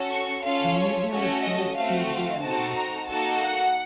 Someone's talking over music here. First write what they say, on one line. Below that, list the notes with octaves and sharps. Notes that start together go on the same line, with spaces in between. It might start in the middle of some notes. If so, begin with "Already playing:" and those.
The museum is closed Tuesday and Wednesday.
Already playing: C#4 F#4 A4
C#6
C#4 F4 A4 F5
C#5
A3 C#4 F#4 A4 C#5
D#5
A3 C4 F#4 F5
F5
C4 D#4 F#4 A4 A5
A#5
A#3 D#4 F#4 A4 A5
F#5